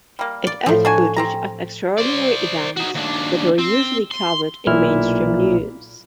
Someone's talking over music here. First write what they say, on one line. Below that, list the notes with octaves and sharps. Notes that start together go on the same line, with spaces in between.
It aired footage of extraordinary events that were usually covered in mainstream news.
G3 A#3
D5
A2 F3
D4 F#4 G#5
C4 G4 A#5
C5 D5
D#4 F#4
D#2 D4
C4
C6
B1 A#2 E4 F6